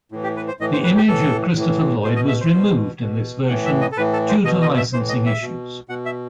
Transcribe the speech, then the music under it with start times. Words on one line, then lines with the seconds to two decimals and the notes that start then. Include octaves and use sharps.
The image of Christopher Lloyd was removed in this version due to licensing issues.
0.12 A2 E3
0.23 G4
0.36 B4
0.48 C5
0.60 A2 E3 D#5
0.73 C5
0.84 B4
0.96 G4
1.08 A2 E3 A4
1.56 A2 E3
2.04 B2 C5
2.16 D#5
2.28 E5
2.41 C5
2.53 B2
3.01 B2
3.48 A2 E3 F#5
3.65 E5
3.81 D#5
3.92 A4
3.97 A2 E3 B4
4.13 A4
4.29 C5
4.45 B2 D#5
4.62 D#5
4.77 E5
4.93 A2 E3 C5
5.09 D#5
5.26 E5
5.42 B2
5.89 B2 F#5
6.06 E5